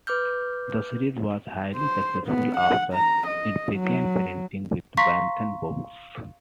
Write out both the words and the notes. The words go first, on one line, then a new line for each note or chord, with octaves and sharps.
The series was highly successful after it began printing with Bantam Books.
B4 D6 F6 G6
C5
B3
F#5
A#5
D#5
F#3
F5 A#5 C6 C#6 A#6 B6